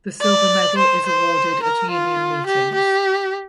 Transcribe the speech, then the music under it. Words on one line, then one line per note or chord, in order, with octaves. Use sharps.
The silver medal is awarded at union meetings.
D5
C5
C5
A#4
F4
G4
G4